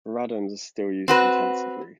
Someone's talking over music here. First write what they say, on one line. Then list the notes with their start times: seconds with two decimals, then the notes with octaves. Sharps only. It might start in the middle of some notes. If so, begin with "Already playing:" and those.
The radomes are still used intensively.
1.08 C4 F#4 B4